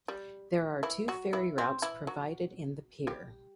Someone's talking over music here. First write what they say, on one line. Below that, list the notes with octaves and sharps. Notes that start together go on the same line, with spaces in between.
There are two ferry routes provided in the pier.
G3
E3 E4
F#3 F#4
E3 E4
C4
E3 E4
F#3 F#4
G3 G4